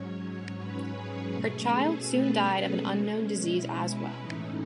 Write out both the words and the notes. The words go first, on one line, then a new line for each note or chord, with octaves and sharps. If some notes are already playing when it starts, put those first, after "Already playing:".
Her child soon died of an unknown disease as well.
Already playing: G#2 F#3 C#4 C#5
B4
G#4
B2 A3 C#4 G#4
A4
B4
B4
B2 G#3 C#4
E4
B4
A2 E3 A3 C#4 D#4